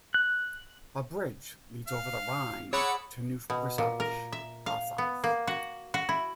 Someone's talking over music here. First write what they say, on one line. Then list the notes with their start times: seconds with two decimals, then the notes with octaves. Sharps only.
A bridge leads over the Rhine to Neuf-Brisach, Alsace.
0.14 F#6
1.87 F5
2.73 G#4 C#5 F#5 B5 D6 E6
3.50 B2
3.78 A#2
4.00 A#4
4.32 E5
4.66 F5
4.98 B3
5.24 A#3
5.47 F#4
5.94 F#4
6.09 E4